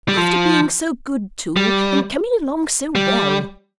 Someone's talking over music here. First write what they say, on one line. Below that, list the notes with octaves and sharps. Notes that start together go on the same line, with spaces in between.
'After being so good too, and coming along so well!
G3
F3
G3
G3